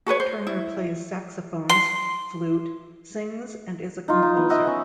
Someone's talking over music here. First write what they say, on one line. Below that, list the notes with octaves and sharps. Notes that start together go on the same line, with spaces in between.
Turner plays saxophones, flute, sings and is a composer.
F#4 A4 B4 C#5
C5
E4
C6
D#4 F4
D#4
B3
D#5 E5 F#5
C#4